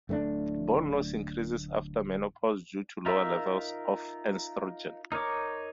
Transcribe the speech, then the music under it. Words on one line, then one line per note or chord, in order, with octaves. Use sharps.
Bone loss increases after menopause due to lower levels of estrogen.
D1 A3 B3 D4
D#4 F4 A#4 E5
D#4 A#4 C#5 D6